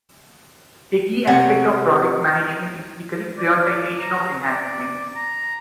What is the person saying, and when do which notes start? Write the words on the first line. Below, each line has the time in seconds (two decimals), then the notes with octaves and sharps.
A key aspect of Product Management is the correct prioritization of enhancements.
1.27 C3 C#5 F#5
3.38 D5
3.62 D5
4.00 A#5
4.48 D5
5.15 A#5